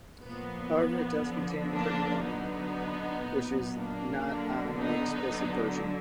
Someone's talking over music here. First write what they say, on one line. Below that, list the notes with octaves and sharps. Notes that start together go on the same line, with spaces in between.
However, it does contain "Pretty Woman", which is not on the explicit version.
A#2 F3 B3
D3 F3
A#3 D4
D3 F#3 B3 D#4
A#2 F#3
A#3 D4
D3 F#3
B3 D#4
D3 F#3